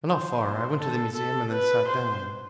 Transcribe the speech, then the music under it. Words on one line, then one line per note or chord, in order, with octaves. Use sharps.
But not far; I went to the Museum and then sat down.
C5
A4
A4
B4
C5